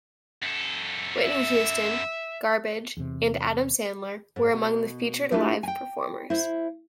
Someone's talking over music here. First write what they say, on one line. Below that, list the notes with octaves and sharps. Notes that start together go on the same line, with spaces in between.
Whitney Houston, Garbage and Adam Sandler were among the featured live performers.
F#2 A4
E5
E2 C3
G#2
B2
A3 D4 E4 F4 G4 B4
G5 G#5
E4 C5